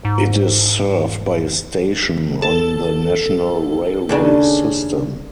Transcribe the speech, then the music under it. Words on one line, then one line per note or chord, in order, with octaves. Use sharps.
It is served by a station on the national railway system.
G#2
A4
D#2 C#3 D4